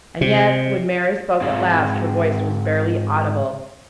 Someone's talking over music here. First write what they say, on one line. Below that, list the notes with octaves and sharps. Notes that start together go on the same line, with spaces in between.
And yet, when Mary spoke at last, her voice was barely audible.
C3
G#2 C4 G#4 F5